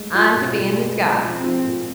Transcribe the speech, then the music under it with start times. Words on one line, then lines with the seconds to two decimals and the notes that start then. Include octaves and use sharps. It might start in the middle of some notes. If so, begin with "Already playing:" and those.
I'm to be in disguise.
Already playing: A2 G#3
0.15 F4
0.36 B2
0.57 B2
0.79 G#3
1.00 G#3
1.23 F3 C4
1.44 F3
1.65 A#2